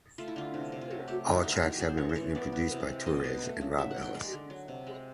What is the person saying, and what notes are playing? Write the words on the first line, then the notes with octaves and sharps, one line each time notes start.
All tracks have been written and produced by Torres and Rob Ellis.
A3 F4
E4
D3 F4
C3
C3
F4
F#3 F#4
A3 G4
D3 F#4
E4
G3 D#4
D#3 F#4
G4
F#3 G#4
C5
E3 C#5
C5
E3 C#5
B3 D5
B3
C3
G#3
B2 D#5
B2
A3
C#3
F#3 E5
F#5
D#3
G5
G#3 D5
D3
F#3
C3
G#3